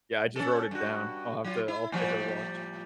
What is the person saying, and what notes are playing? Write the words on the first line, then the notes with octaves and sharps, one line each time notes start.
Yeah, I just wrote it down. I'll have to I'll take a watch.
C#4 A4
G2 F#4
F#3 F4
E4
A2 F3 G3